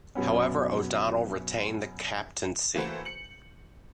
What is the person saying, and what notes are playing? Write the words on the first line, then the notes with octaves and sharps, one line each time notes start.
However O'Donnell retained the captaincy.
F#2 B2 B3 C#4
E3 A3 A#3 F#4 B4 C5
C#7 F#7